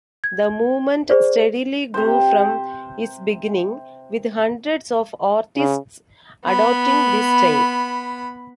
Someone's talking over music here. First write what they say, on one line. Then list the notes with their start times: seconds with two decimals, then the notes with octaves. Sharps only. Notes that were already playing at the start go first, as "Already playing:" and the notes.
The movement steadily grew from its beginning, with hundreds of artists adopting this style.
0.24 G#6
1.10 G#4 C5 D5
1.94 C3 C5
5.57 C#3
6.45 B3 B5